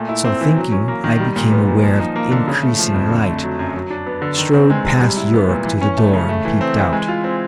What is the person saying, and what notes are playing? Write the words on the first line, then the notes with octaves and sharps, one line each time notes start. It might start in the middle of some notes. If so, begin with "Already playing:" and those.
So thinking I became aware of increasing light; strode past Yuruk to the door and peeped out.
Already playing: A#2 A3
E4
C4
E3
F#3
C#4
A#3
D#3
G3
A#2
B3
A#2
F3
D#4
A#3
D3
C#3
A3
F3
F2
D3
A3
F#3
F#2
F#3
D4
B3
D3
D#3
C4
G#3
C3
G3
E4
B3
A#2
E3
C#4
A3
C#3
A3
E3
C4
E3
G#3
F4
C4